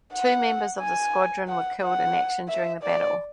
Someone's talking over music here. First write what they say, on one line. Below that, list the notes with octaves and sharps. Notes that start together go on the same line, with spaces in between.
Two members of the squadron were killed in action during the battle.
F#5
G#5
F#5
F#5
E5
D5